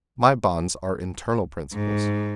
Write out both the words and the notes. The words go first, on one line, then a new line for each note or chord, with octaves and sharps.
My bonds are internal principles.
G#2